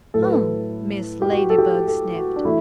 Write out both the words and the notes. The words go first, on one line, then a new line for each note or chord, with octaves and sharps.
"Huh!" Mrs. Ladybug sniffed.
A2 F#3 A3 A4
B4
A4
G4
F#4
A4
G4
A4
F#4
D4
E3 A3 E4